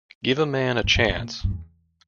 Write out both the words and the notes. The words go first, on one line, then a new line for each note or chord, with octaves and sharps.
Give a man a chance.
G#2
G2
G#2
A#2
G2
E2